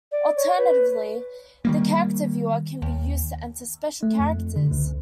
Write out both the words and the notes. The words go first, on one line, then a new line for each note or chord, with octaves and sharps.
Alternatively the Character Viewer can be used to enter special characters.
D5
C#5
B4
D#3 G3 A#3
D#2
A3
F2
D3
C#2